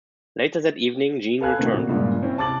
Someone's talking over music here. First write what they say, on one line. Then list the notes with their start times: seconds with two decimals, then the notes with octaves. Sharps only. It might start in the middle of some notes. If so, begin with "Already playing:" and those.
Later that evening, Jean returns.
1.41 A4 B4 F5 G#5 F#6 G#6
1.58 A2 D#3 C4
1.71 A#2 F#4
1.89 G2 A#2 C#3 G#3
2.23 C4 C#4 E4
2.37 C3 A5 D6 A6 F#7